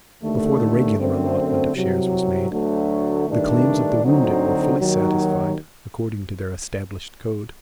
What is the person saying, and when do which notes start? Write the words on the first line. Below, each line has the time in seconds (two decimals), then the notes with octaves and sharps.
Before the regular allotment of shares was made, the claims of the wounded were fully satisfied according to their established code.
0.22 D#2 D3 A3
0.98 F#2 D3 A3 C4
1.74 C2 C3 F#3
2.51 D2 D3 F#3 A3
3.27 G2 D#3 A3 D4
4.03 D2 D3 F#3 C4 D#4
4.79 D#2 D#3 F#3